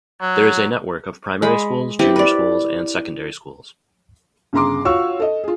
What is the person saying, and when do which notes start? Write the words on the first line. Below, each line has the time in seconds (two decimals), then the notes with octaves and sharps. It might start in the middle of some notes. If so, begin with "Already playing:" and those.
There is a network of primary schools, junior schools and secondary schools.
0.21 F#3
1.42 G#3 B5
1.99 C4 E4 G4 B4
2.16 B4 D5
4.53 G1 C#3 G#4 A#5 C6 D6
4.85 F4 F#4 C#5 F5 C#6 E6
5.19 A4 D#5
5.44 F4 G#4